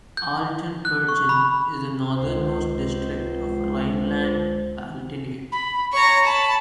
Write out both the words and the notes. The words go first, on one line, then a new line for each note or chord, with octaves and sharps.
Altenkirchen is the northernmost district of Rhineland-Palatinate.
G6
F#6
C#6
B5
C#2 C5
B5
C#5 A#5 C#6
A5 B5